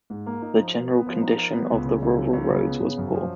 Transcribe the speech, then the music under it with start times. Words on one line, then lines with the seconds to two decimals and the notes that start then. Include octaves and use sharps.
The general condition of the rural roads was poor.
0.10 G#2
0.26 A#3
0.42 D#4
0.57 F3
0.74 A#4
0.90 B3
1.06 F3
1.21 D#4
1.38 A#4
1.53 B3
1.70 C#2
1.85 C#3
2.02 C#2
2.17 F#3
2.33 C#2
2.50 C#3
2.65 B3
2.82 C#3
2.98 F#2
3.14 F3